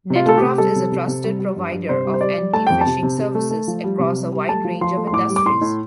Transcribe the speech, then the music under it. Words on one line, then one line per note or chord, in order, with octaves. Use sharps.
Netcraft is a trusted provider of anti-phishing services across a wide range of industries.
C3
F4
A3 A4
C3 G4
G3 A4
C3
C3
C3
G3
G3
G2
G2
C3 C5
G3
C5
G3 D5
G3
A3 A5
F2 G5
A5
C3
C3
C3
A3
A3
F3
G3
C3
G3
G3
A3 A5
F3
F3 C6
A3
C6
A2 D6
G3
D6
A2 C6
A2